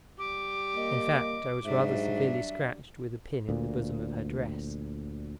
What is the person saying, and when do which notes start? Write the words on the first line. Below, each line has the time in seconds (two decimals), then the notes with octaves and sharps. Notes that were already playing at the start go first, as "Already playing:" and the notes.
In fact I was rather severely scratched with a. pin in the bosom of her dress.
0.19 G3 G4 D6
0.76 A#3 D#5
1.65 G#2 F#3 G3 D4 E5
3.49 D2 A#2